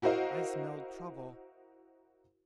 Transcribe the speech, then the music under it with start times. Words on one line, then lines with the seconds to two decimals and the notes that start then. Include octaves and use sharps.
I smell trouble.
0.02 E4 F#4 A#4 C5 D#5 F5